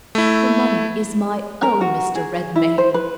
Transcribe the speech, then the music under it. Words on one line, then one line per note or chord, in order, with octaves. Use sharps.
"The money is my own, Mr. Redmain."
A3 E4
A#4
F#4
G#4
E4
C5
B4